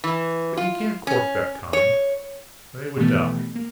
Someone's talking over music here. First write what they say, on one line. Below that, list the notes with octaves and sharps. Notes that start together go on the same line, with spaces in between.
But you can't cork that kind; they would die.
E3
F4
C#4
C#5
B2 D#3 E3 G3 A3 B3
A#3